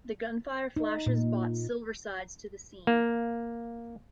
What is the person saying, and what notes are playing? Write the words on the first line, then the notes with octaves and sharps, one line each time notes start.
The gunfire flashes brought "Silversides" to the scene.
D#4
A#2
A#3